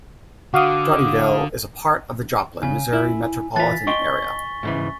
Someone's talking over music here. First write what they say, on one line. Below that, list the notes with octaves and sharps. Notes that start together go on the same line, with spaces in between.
Dotyville is a part of the Joplin, Missouri metropolitan area.
D3 F#4 F5 D6 D#6
C#3 G#5
E4
E3 F4 A6 B6
D#5 G5 C6 C#6 G7
G#2 C#3 E3